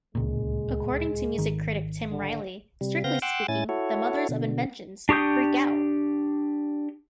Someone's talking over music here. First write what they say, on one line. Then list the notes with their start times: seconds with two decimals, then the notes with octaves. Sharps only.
According to music critic Tim Riley, "Strictly speaking, the Mothers of Invention's "Freak Out!
0.15 D1 C#2 A#2 G#3
1.38 G#1 D#3
2.12 D3
2.81 C3 G3
3.04 C#3 B3 C4 F5 G6 A#6
3.22 F#5 G5 C6 D6 E6 F#6
3.48 A2 C#4 E4 G#5 A6
3.69 E4 F#4 A4 C#5
4.29 B2 D3
5.09 D4 G4 C#6 D#6 G6